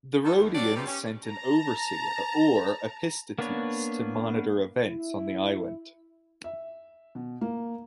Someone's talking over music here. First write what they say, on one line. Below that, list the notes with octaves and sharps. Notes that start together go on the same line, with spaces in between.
The Rhodians sent an overseer, or "epistates", to monitor events on the island.
D#3 A4
D#2
F#3 G3 D4 G4 D5
G#2 B2 B3 D#4 F4 G4
C#4 G4
A5 A#5
A#3 B3 D4 B4 C#5
E4
E5
B2
A#3